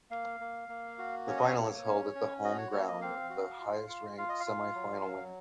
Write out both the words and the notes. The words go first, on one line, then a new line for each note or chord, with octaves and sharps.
The final is held at the home ground of the highest ranked semi-final winner.
A#3 F5
A#3
A#3
F#4
C#4 C#5
D#5
C#5
A#3
C#4
C#4
F#4 D#5
C#5
A#3 C#5
D#5
C4 F5
F#4
F4
F4
F4 F5
D#5
F5
F4
F#3
F#3